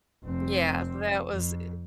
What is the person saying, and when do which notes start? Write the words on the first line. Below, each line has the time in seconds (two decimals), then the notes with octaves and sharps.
Yeah, that was, i
0.24 F1 C4
1.30 F2